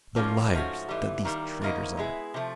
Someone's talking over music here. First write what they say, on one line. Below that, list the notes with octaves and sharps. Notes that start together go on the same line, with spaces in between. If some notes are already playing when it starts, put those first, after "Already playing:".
The liars that these traders are!'
A#2 F3 A#3 C#4 F4
G#2 F3 A3 C#4 F#4
G#2 E3 G3
D#3 G3 A#3
E2 C#3 F3 A#3 D#4
G#3 B3 E4 G#4
C3 F3 A3